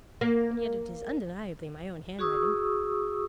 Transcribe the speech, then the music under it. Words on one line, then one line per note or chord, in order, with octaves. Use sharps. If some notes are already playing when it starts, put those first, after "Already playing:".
And yet it is undeniably my own handwriting.
A#3
F#4 G#4 C#6 D#6 E6